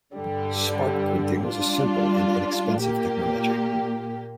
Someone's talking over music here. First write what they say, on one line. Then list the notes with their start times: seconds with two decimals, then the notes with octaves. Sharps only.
Spark printing was a simple and inexpensive technology.
0.13 G2 D3 G3
1.47 G3 D4 F4
2.82 A#2 A#3 G4